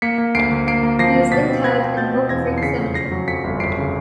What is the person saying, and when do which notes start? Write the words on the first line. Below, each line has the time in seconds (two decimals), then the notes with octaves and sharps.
He is interred in Rock Creek Cemetery.
0.02 A#3 B6 C#7
0.18 A#3
0.35 D2 C7 D7
0.51 D2
0.67 A#3 C7 D7
0.83 A#3
0.99 F3 A#6 C7
1.16 F3
1.32 B2 A6 B6
1.48 C4
1.64 C4 G#6 A#6
1.81 C4
1.97 B2 G6 A6
2.14 C4
2.29 E2 G#6 A#6
2.46 E2
2.58 C7
2.63 C#3 B6 C#7
2.79 F2
2.94 F2 A#6 C7
3.12 F#3
3.28 F2 B6 C#7
3.44 G1
3.60 F2 C7 D7
3.77 C#3